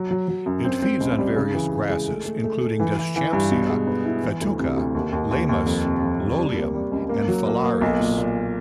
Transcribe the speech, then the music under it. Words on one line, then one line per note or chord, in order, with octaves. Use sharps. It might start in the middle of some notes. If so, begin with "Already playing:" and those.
It feeds on various grasses including "Deschampsia", "Festuca", "Leymus", "Lolium" and "Phalaris".
Already playing: F#3
F#3
F#3
F#2
C4
C4
C#2
G3
C#3
E3
G#3
G#3
A3
A3
A3
A3
E3
E3
E3
G2
B2
G#3
B3
E4
E3
D2
C3
D2
D#2
D#2
D#2
D#2
F2
C3
F2
C3
G3
A#3
G3
C#2
A#3
F#3
A#3
A#3
B1
A#2
A#2